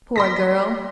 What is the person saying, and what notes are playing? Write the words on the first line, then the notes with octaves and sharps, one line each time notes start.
Poor girl!
C6 A#6 B6